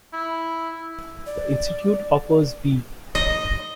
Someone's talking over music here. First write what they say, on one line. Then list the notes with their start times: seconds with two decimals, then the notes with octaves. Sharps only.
The institute offers B.
0.13 E4
1.27 D5
3.15 D#5